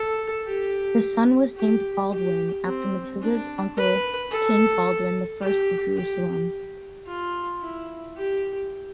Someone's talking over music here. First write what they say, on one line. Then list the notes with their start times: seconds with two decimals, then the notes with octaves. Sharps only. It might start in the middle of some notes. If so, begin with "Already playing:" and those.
The son was named Baldwin, after Matilda's uncle, King Baldwin the First of Jerusalem.
Already playing: A4
0.47 G4
1.56 G4
2.12 G4
2.66 C4
3.21 D4
3.77 B4
4.31 A4
5.42 G4
5.96 G4
7.07 F4
7.61 E4
8.17 G4